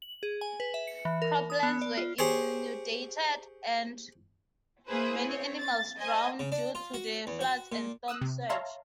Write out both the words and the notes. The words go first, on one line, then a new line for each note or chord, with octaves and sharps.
Croplands were inundated and many animals drowned due to the floods and storm surge.
F#7
G#4
G#5
B4
E5
C#7
E3
A#4
D#6
B3
D5
F4
G4 G#4 C5 C#5
A#3 E4 G#4 B4 C5
C4 C#5
A6
C5 D#5 G#5
C#3
D4
F4
F#4
E2
F#4
A#2
D#6 E6 F#6
C3
C#5 E5 F5 A5 A#5 C6